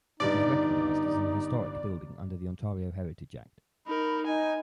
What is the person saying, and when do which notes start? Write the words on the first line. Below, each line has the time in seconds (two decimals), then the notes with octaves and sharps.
It is recognized as an historic building under the Ontario Heritage Act.
0.20 G1 G2 D#4 D5
3.87 D#4 A#4 B5
4.27 D#4 G#5